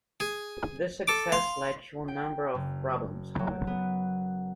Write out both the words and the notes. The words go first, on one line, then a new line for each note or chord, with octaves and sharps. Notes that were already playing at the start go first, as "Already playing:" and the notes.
This success led to a number of problems, however.
G#4
A4 D6
F5 C6
G5
F#1
F#3
B3